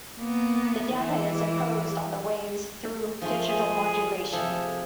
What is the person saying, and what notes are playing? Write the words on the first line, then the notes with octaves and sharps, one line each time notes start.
The data is imposed on the waves through digital modulation.
A#3 B3
E3
F3 A3 F4 G#4
G#4
C3 F3 G#4 A4